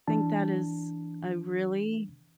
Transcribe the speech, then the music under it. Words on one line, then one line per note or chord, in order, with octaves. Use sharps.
think that is a really
E3 D4 A5